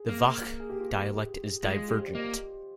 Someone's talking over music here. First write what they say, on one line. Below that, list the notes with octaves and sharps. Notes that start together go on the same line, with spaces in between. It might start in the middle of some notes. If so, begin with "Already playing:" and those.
The Vakh dialect is divergent.
Already playing: G#4
A#3
G#4
G4
F4
G4
G4
G#3 F4
G4
C5
D5
A#3 D#5